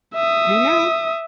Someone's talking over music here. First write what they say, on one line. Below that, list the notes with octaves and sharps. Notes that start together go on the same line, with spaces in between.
I know.
E5 D#6